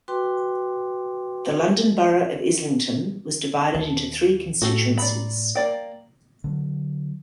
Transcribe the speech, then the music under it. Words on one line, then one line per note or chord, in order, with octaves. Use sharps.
The London Borough of Islington was divided into three constituencies.
F#4 B4 G5 C6 D6
D#2 A5
A2 F#4 G4 A4
D5 A#5 B5
A#3 D5 G5
D3 F#3